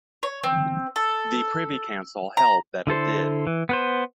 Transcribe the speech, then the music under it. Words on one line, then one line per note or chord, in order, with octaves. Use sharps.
The Privy Council held that it did.
C#5
C4
A4
A#5
D3 E4 A4 C5
E3
B3 B4 C5